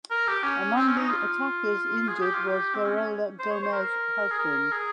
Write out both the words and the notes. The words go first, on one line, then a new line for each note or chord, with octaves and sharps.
Among the attackers injured was Varela Gomes’ husband.
A#4
G4
C#4
C4
C#4
D#4
F4
G#4
G4
F4
G4
C4
C#4
C#4
C5
C#5
C5
A#4
G#4
A#4
G#4